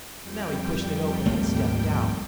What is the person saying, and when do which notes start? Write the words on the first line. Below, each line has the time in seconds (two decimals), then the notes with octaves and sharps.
Now he pushed it open and stepped out.
0.20 F2 G3 G5
1.25 G#1 D2 G#2 A3 A#3